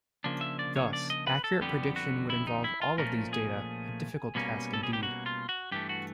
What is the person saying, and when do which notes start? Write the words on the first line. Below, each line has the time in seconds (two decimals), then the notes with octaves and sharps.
Thus, accurate prediction would involve all of these data, a difficult task indeed.
0.24 C#3 F3 A#3 D4
0.41 E5
0.59 D5
0.76 C#5
0.93 D5
1.10 D#5
1.27 B4
1.44 A4
1.61 F2 D3 G3 B3 G4
1.96 F#4
2.30 E4
2.47 D#4
2.64 E4
2.82 F4
2.98 A#2 F3 A3 C#4 A#4
3.33 G#4
4.35 B2 G3 A#3 C#4
4.73 A4
4.83 G#4
4.93 G4
5.03 F#4
5.26 F4
5.49 F#4
5.71 G2 E3 A3 G4
5.89 F#4